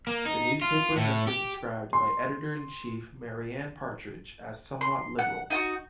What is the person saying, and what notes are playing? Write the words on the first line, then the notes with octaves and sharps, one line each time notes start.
The newspaper has been described by editor-in-chief Marianne Partridge as somewhat liberal.
A#3
D#4
F4
A2
G4
C6
C6
F#5
D#4 F4 F#4